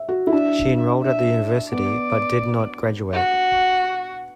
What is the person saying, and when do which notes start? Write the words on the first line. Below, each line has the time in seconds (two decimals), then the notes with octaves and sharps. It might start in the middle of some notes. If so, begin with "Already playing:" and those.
She enrolled at the university but did not graduate.
Already playing: E5
0.09 F#4
0.27 E4
0.32 D4 E5
1.02 E5
1.72 B3 D5
3.12 F#4